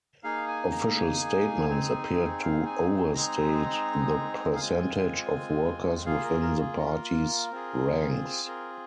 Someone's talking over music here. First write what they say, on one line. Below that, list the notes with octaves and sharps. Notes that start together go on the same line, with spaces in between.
Official statements appeared to overstate the percentage of workers within the party's ranks.
A#3 D#4 G#4 F5
G#5
A#5
G#5
C4 D#4 G#4
F5
G#5
G#3 C4 D#4 G#4 A#5
F5
G#3 C4 F4 G#5
G#5
A#3 F4 G#4 F5
A#4
A#4
G#4
A#4
C4 F4 G#4
A#4